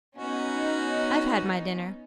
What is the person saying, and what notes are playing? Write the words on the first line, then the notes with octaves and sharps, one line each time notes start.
I've had my dinner.'
B3 C#4 D#4 F#4